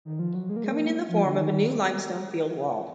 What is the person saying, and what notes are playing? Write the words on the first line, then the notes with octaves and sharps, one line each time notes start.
Coming in the form of a new limestone field wall.
D#3
F3
F#3
G#3
A#3
G#3
A#3
F3
D3
D#3